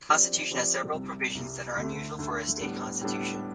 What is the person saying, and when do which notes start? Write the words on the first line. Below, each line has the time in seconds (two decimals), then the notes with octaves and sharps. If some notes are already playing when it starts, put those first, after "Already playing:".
The constitution has several provisions that are unusual for a state constitution.
0.09 F3 C4 G4 D5
0.51 F3 C4 G4 D5
0.92 C2 C3 G3
1.35 C2 C3 G3
1.76 D2 D3 A3
2.18 D2 D3 A3
2.61 A2 G3 B3 D4
3.01 A2 G3 B3 D4